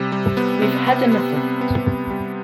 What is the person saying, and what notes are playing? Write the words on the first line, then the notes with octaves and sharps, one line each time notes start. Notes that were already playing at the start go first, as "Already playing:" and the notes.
We've had enough of it.
Already playing: C3 G3
G3
B3
C3
B3
B3
C3
B3
C3
G3